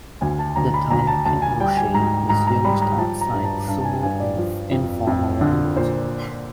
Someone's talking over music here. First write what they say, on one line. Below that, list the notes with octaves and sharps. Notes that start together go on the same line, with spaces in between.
The term "kinboshi" is used outside sumo in informal language.
D2 G#5
A5
D2 A#5
B5
D2 A#5
A5
D2 A5
G#5
G3 G5
G#5
G#2 A#5
G#2 A#5
A#5
G3 B5
A#5
F3 A5
A#5
G2
A5
G2 A5
A5
G#5
G2 G#5
D5
F3
F2
F2
D3
A#2 C5